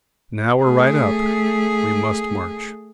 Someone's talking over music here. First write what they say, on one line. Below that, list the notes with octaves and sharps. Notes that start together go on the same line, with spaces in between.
Now we are right up, we must march.
A3 G#4